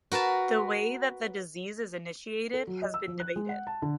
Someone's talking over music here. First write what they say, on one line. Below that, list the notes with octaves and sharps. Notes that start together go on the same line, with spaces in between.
The way that the disease is initiated has been debated.
F#4 A#4 B4 A5
A4
F#3
D#5
E6
F3
F#6
G#3
F#5
A5
D3